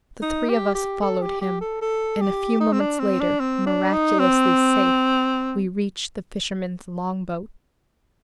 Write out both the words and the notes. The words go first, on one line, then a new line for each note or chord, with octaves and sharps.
The three of us followed him, and a few moments later, miraculously safe, we reached the fisherman's longboat.
D#4
G4
G4
A4
G4
G4
A4
A4
G4
D#4
C4
D4
C4
D4
C4
D4
D#4
C4